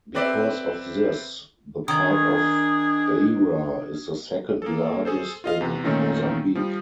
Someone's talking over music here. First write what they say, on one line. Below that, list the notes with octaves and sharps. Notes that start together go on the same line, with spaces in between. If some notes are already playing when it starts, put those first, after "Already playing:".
Because of this, the port of Beira is the second largest in Mozambique.
C4 B4 C5 D5 E5
D#3 D4 G#4 D#6 G#6
A#3 G#4 A4
G#4 A4 C5
F4 D#5 F5
E2 C3
A#2 D#3 A3 C#4 D#4 F4
F3 G3